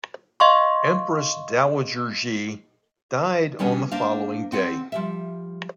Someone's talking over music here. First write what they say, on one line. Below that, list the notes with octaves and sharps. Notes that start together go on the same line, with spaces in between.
Empress Dowager Cixi died on the following day.
D#5 F5 C6 C#6
D#3 G3 B3 C#4 D4
A#3 D4 C5 F5
C4 F#5
F3 G3 E5